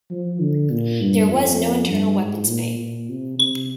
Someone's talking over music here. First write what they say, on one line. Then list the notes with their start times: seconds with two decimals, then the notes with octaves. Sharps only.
There was no internal weapons bay.
0.11 F3
0.41 D3
0.70 A#2
1.01 G2
1.30 F2
1.89 G2
2.20 G#2
2.49 A#2
2.79 A#2
3.09 C3
3.39 C3